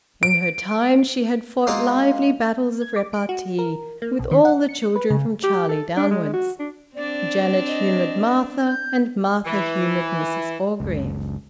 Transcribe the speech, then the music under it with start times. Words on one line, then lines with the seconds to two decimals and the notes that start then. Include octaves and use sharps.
In her time she had fought lively battles of repartee with all the children from Charlie downwards. Janet humoured Martha, and Martha humoured Mrs Orgreave.
0.23 D7
1.67 G#3 A#3 C4 D#4 F4 F#4
2.82 G#6
2.96 D6
3.13 D7
3.29 F#4
3.59 A#4
4.02 A#3
4.19 B1
4.31 D#3
4.45 F#5
4.69 C#7
4.96 B4
5.10 C#3
5.43 G4
5.69 A4
5.97 D4
6.11 G#3
6.33 F#4
6.59 D4
6.96 C4 D4 D5
7.67 D#5
8.67 G6
9.45 E3
10.80 F#1 C#2